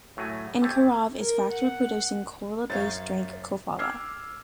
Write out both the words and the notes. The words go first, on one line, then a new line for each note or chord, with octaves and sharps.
In Krnov is factory producing cola-based drink Kofola.
A2 F#3 A3 G#5
G4 A4 C5 C#5 E5 G#5
A#4
F#5
F#2 C5 C#5 F5 A6
D6 E6 F6 G#6 C7